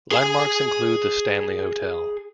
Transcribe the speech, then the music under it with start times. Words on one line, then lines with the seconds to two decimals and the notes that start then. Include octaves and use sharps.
Landmarks include the Stanley Hotel.
0.12 G#4 G#5